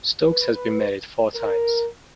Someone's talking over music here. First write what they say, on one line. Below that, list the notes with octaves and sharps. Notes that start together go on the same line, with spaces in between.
Stokes has been married four times.
B4
A#4